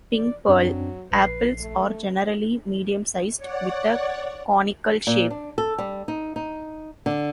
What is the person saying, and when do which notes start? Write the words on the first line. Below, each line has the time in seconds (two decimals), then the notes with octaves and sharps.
'Pink Pearl' apples are generally medium-sized, with a conical shape.
0.14 D5
0.48 F#2 F#3 C4 D4
1.12 A#1 B4 C7
1.61 A3
3.37 C#5 D5 F#5
5.07 A#2
5.30 D4
5.58 A4
5.78 G3
6.08 D#4
6.36 D#4
7.06 D3